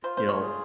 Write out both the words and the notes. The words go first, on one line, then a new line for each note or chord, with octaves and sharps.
you know,
F4 C5
C5
C#5
G#4